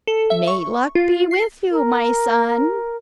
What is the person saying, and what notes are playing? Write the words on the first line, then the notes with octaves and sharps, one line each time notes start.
'May Luck be with you, my son.
A4
E5
C#6
F4
C7
A#4